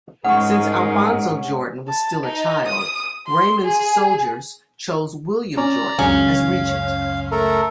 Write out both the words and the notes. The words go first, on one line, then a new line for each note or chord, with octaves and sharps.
Since Alfonso-Jordan was still a child, Raymond's soldiers chose William-Jordan as regent.
G#2 C#4 D#4 G#4 A#4 F#5 C#6
A5
D#4
D#6
C6
G#4
C#4 D5 A#5
C#2 F#2 C#3 C#4 F5
A3 A4 A#4